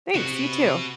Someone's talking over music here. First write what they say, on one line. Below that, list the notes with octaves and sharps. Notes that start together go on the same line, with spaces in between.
Thanks you too.
C3 F#4 B4